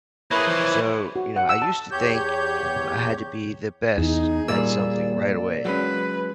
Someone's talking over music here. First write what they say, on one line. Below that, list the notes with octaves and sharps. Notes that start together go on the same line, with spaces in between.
So, you know, I used to think, you know, I had to be the best at something right away,
A#3 E4 G#4 B4 C#5
E3 F3
F#4
F#5
E6
A5
E2 G4 C#5 G6
E2 D#4 G#4
A#2 G3 A#3 D5 E6
F#3 G#3 C#4 B4